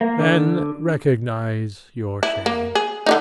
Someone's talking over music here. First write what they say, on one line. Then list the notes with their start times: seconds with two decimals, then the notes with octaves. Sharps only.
Then recognize your shame.
0.01 A#3
0.20 D3
2.23 E4
2.46 A#3
2.75 G#4
3.06 D3 D4 D#4